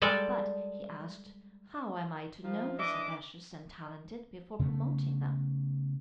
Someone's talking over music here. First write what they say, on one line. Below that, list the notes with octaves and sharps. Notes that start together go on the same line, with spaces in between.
"But," he asked, "how am I to know the sagacious and talented, before promoting them?"
G3 G#3 A4 D5
D#3 F3
E3 D4 D#5 E5 D6
C#3 F#3 A3 B3